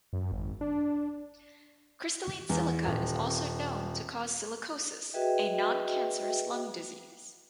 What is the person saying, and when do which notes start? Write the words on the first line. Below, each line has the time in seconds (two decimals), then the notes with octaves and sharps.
Crystalline silica is also known to cause silicosis, a non-cancerous lung disease.
0.13 F#2
0.32 G#1
0.61 D4
2.49 E2
2.85 D#1
5.13 F#4 G#4 B4 D#5 E5 G5